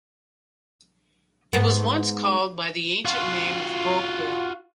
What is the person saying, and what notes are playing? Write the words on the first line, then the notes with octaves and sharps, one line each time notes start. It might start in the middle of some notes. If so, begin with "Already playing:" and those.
It was once called by the ancient name of 'Brokedale'.
G#2 B3
F4 F#4